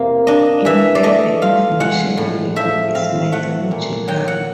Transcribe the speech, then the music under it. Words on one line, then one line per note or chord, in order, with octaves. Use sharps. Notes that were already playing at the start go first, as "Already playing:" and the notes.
In fact the information in the book is mythological.
Already playing: E2 C3 A#3
D4 D#5
E3 E5
D5
A3 D#5
F4 F5
G#3 F#5
A2
F3 E5
C4 F5
A3 F#5
A#2
F#3 G5
F#5